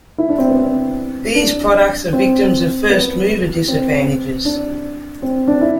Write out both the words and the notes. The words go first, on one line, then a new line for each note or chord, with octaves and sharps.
These products are victims of first-mover disadvantages.
E4
D4
C4
B3
C4
D4
C4
B3
C4
D4
C4
D4
E4